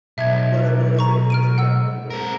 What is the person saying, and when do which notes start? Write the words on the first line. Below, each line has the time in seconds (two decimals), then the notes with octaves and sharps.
But I've noticed, like, as I've gotten older
0.18 B1 E5 G#6
0.99 A#5 C#6
1.30 F6 D7 D#7
1.58 F#5 E6
2.10 C4 A#4